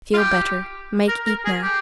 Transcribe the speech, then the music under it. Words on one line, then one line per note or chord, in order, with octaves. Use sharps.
"Feel better, make eat now."
F4
G4
A#4
A#4
G#4
G4